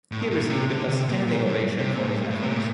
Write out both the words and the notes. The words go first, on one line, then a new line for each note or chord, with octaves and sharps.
He received a standing ovation for his efforts.
A2
G2
A2
A#2
C3
D3
C3
A#2
A#2
G2
C3
A#2
A2
G2
A2
C3
A#2
A2